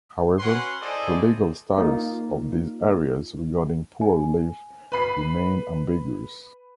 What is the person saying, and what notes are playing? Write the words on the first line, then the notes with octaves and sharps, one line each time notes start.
However, the legal status of these areas regarding poor relief remained ambiguous.
C#4 F#4 B4 F#5 C6
E4 G#4 A4 C5 D5 D#5
A#3 D#4 F4
G#5
B4 B5 C7